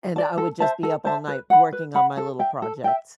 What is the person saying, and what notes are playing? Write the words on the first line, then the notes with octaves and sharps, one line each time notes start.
And I would just be up all night working on my little projects.
D5 A5
A4
C5 E5 A5
A4
C5 E5 A5
B4
F#5 B5
B4
F#5 B5
A4
E5 G5
A4
E5 G5